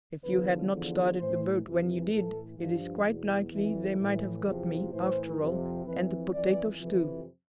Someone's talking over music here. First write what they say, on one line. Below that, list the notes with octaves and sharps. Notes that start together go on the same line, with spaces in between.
If you had not started the boat when you did, it is quite likely they might have got me, after all, and the potatoes too.
E2 D3 F3 B4
E2 D3 F3
A2 E3 C5
F2 C3 E3
A2 E3 A4
G2 F3
E2 B2
F2 E3
A2 E3
E2 C3 F3
A2 E3 C5
F2 C3 F3
F2 E3 B4
F2 E3 D5
F2 C3 E3